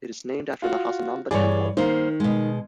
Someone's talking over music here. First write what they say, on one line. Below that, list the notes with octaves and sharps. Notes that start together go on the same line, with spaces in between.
It is named after the Hasanamba temple.
F4 F#4
G2 E3 G#4 C#5 D5
D#3 A#3 C5
B2 G#3